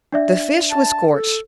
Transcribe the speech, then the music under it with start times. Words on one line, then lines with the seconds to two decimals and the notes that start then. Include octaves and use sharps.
The fish was scorched.
0.12 D4 D5 E5
0.71 A5
1.13 A4